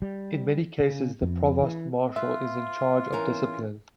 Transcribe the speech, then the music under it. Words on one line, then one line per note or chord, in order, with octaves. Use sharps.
In many cases the provost marshal is in charge of discipline.
G3
C#3
F2
E3
F4 B4 E5
E3 C#4 A#4